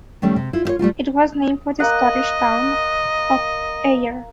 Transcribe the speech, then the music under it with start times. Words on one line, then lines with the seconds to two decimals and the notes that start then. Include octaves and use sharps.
It was named for the Scottish town of Ayr.
0.22 D#3 G3 A3 C#4
0.36 C3
0.53 E4 F4
0.65 E4 F4 C#5
0.79 G3 A3 D#4 F4
1.80 A#3 D#5 F#5